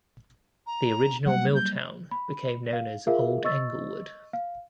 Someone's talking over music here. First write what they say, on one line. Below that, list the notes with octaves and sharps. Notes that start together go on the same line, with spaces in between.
The original milltown became known as "Old Englewood".
A#5
F#3 G3 A#3 F#5
G6
B5
F5
F4 G#4 A#4 E5 F5
D#5 C#6 E6 A6
F5